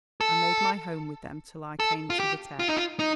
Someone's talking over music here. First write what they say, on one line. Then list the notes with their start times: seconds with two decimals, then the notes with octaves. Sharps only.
I made my home with them till I came to the Tech.
0.21 A4
1.80 A4
2.10 F4
2.20 G4
2.59 F4
2.68 D#4
2.77 F4
2.99 D#4